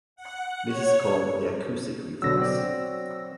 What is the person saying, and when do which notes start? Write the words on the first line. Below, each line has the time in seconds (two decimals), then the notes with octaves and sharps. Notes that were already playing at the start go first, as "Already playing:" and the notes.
This is called the acoustic reflex.
0.16 F#5
0.66 C#5
2.22 B2 D3 F#3 E6 A#6
2.37 F#3 C4 D5